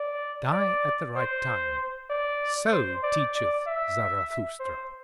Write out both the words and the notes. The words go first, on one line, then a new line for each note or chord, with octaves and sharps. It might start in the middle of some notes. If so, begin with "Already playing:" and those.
Die at the right time: so teacheth Zarathustra.
Already playing: D5
D5
C5
D5
C5
D5
D5
E5
C5